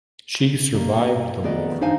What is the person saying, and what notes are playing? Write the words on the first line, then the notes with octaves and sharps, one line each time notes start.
She survived the war.
B2 G3 A#3
D#3 A3 B3 G#4 D5 D#5
D4 D#4 C5 F5 G#5